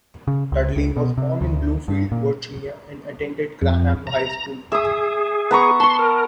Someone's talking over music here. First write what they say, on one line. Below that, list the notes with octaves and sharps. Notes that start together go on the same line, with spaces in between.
Dudley was born in Bluefield, Virginia and attended Graham High School.
C#3
C#2
C#2
B2
C3
D2
G2
A#2
F2
A#5
G#4 E5 D#6
B3 A#5 C#6
A5 C6 C#6
A#4